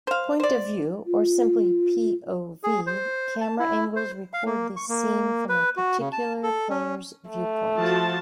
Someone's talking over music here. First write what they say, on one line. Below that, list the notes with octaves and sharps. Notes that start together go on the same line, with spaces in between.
Point-of-view, or simply p.o.v., camera angles record the scene from a particular player's viewpoint.
C5 F5
C5 D5
F4
G#4
C5
A5
E4
C5
F5
A#3
C#6
A#3
B4
F#4
C#3
A5
A4
C#4
A3
F3 F#4 A5